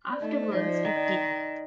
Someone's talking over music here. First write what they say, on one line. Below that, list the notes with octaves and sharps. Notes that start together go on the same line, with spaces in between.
Afterwards It Did.
D5
A3 D#4 D#5
D5
C5
F3 D#4 D#5
D5
D5
D#3 D#4 D#5
D5
D#4 D#5